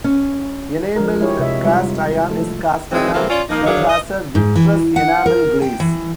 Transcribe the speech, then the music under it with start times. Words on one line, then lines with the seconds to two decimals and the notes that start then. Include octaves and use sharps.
Enameled cast iron is cast iron that has a vitreous enamel glaze.
0.04 C#4
0.96 F3 G#3 D4 A#4
1.21 G#3 E4 G4 G#4 C#5
1.39 C3 E5
1.65 G3 G#3 D#4 F4
1.83 G3
2.30 F3 A3 A4
2.92 D#3 E3 F#3 G#3 C4
3.13 C#3 E3 A#3 C4 E4 A4
3.30 C#4 F4 D5
3.49 F3 A#3 D#4
3.66 F#2 F#3 D4 G#4 C#5 F5
3.89 D#5
4.35 G#2
4.56 E3
4.96 F#5
5.26 A#4
5.62 G5
5.80 E3